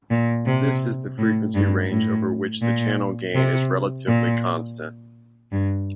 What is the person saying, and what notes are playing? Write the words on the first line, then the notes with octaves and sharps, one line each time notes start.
This is the frequency range over which the channel gain is relatively constant.
A#2
C3
A2
G2
A2
A#2
C3
A#2
G2